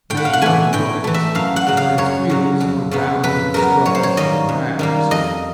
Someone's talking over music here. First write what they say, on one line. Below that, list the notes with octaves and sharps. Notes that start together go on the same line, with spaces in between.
It made no noise, for its wheels were bound with straw and rags.
A2 G5
F#5
F5
F#5
E3 A3 G#5
A2 G5
E3 A3
E5
F#2 F5
F#5
C#3 F#3
F5
F#2 C#5
C#3 F#3
F2
C#3 F#3 B3
F2 B4
C#3 F#3 B3 A#4
F#2 C#5
C5
C#5
D#3 G3 A#3 D#5
F#2
D#3 G3 A#3
F2 D#5